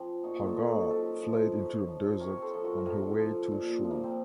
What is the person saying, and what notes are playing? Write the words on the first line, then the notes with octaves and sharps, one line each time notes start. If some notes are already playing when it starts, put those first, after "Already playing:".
Hagar fled into the desert on her way to Shur.
Already playing: F3 C4
A#2 D#4 F#4
F4 A4
F3
A4
D#4 F#4
F#2 F4 A4
F3
F#2
F3
C3 A#4 C#5
A4 A#4 C5
F3
F#4 A#4
A#4
C3 F4 A4
F3
A#2
F3
A#3
C4